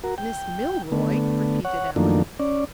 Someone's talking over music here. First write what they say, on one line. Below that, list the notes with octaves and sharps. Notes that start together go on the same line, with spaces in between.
"Miss Milroy!" repeated Allan.
F#4 A#4
G5
D3 A3 B3
C#5 F#5
F#2 D#3 F3 A3 A#3 D4
C#4 D5